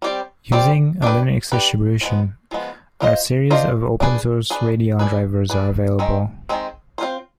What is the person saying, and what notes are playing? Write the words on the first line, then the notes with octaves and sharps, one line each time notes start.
Using a Linux distribution a series of open source Radeon drivers are available.
G3 C4 G4 D5
G3 C4 G4 D5
D4 G4 B4
D4 G4 B4
F3 G#3 B3
F3 G#3 B3
D4 F4 C5 D#5
D4 F4 C5 D#5
D4 G#4 B4
D4 G#4 B4
D4 G#4 B4
D4 G#4 B4
D#3 G#3 C4
D#3 G#3 C4
C4 F4 C5